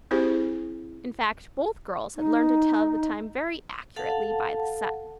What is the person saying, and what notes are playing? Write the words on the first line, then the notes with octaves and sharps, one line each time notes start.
In fact both girls had learned to tell the time very accurately by the sun.
C4 E4 G4 G#4 C5
D#4
A4 F5 F#5 A5